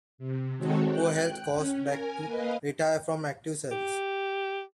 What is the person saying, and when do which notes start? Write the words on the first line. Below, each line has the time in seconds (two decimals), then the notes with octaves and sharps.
Poor health caused Back to retire from active service.
0.18 C3
0.57 D#3 G#3 C4 F#4 A4 C#5
0.88 G5 F#6
1.50 C#4
1.82 A#4 G#5
2.25 A#3 B4 D#5 F5
3.71 G4